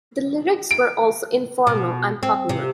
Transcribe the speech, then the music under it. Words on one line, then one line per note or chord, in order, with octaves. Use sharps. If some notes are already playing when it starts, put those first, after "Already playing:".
The lyrics were also informal and popular.
D7
B2
C4
C3